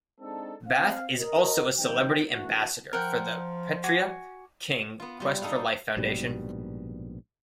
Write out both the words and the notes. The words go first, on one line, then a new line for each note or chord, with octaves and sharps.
Bath is also a Celebrity Ambassador for the Petrea King Quest for Life Foundation.
G#3 C4 D4 D#4 A4
C4 F5
A#4 D#5
D#3 F3 G3 C4 G5
E3 A3 A#3 D4 F#4
F3 A#4 F#5 G5
F#4 G#5 D6
B3 F4
G3 F4
G3 D#4 A4 F5 F#5
A#1 G#2 B2 G3